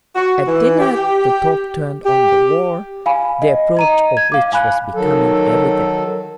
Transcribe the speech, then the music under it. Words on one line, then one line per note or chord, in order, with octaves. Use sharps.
At dinner the talk turned on the war, the approach of which was becoming evident.
F#4
E3
G4
G4
F5 G#5 B5
D#5
D#5 A#5 D#7
G#6
F5 D6
F5 G#5 B5 F#6
D#3 F#3 A4